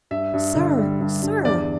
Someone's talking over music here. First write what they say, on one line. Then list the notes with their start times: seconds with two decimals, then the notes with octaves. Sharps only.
"Sir! sir!"
0.11 G2 E5
0.34 G2
0.55 D3
0.79 G3
1.00 G2
1.22 G2
1.45 E2 D5